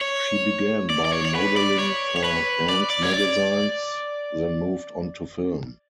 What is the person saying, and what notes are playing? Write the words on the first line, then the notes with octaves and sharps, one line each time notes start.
She began by modelling for men's magazines, then moved on to film.
C#5
D5
D5
C#5
C#5
B4
D5
C#5
C#5
B4
D5
D5
C#5
D5